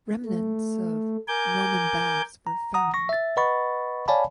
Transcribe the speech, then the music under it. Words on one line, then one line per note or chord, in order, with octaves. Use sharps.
Remnants of Roman baths were found.
A3
A#4 G#5 D6 G6
A#5
F#5 A#5 D#6
C#6 A#6
E5 A6
B4 D#5 F#5 B5 C#6 A6
C#5 D5 F5 G#5 A5 B5